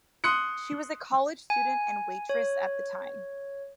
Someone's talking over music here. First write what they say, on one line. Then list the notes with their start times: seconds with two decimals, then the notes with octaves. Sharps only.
She was a college student and waitress at the time.
0.24 C6 D#6 F#6 C#7
1.50 G#5
2.29 C#5